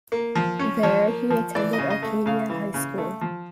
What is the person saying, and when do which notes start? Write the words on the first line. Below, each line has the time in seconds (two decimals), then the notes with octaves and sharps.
There he attended Arcadia High School.
0.12 A#3
0.35 F3
0.59 C#4
0.83 F3 C#5
1.07 A#3
1.30 F3
1.55 E3 D5
1.73 D#5
1.78 C#3
1.90 D#5
2.02 A3
2.26 C#3 F5
2.50 E3
2.74 C#3
2.98 A3
3.21 F3